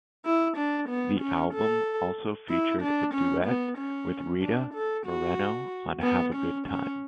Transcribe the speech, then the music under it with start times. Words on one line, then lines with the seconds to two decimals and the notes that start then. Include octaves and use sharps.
The album also featured a duet with Rita Moreno on Have A Good Time.
0.25 E4
0.57 D4
0.89 B3
1.21 C#4
1.54 A4
2.50 E4
2.81 D4
3.14 C#4
3.46 B3
3.78 C#4
4.42 D4
4.74 A4
5.06 F#4
6.02 B3
6.35 C#4
6.67 C#4